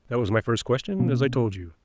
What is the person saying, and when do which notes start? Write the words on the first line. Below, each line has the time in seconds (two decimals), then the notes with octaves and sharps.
That was my first question, as I told you.
0.99 B2 A#3 C#4